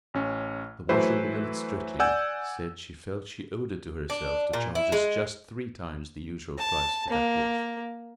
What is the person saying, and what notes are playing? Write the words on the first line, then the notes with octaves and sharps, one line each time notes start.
The washerwoman at Streatley said she felt she owed it to herself to charge us just three times the usual prices for that wash.
A1 C#4
E3 F#3 A3 E4 B4 C5
D5 F#5 G#5 E6 G6
D4
A#2
E4
G#3
A5
A#3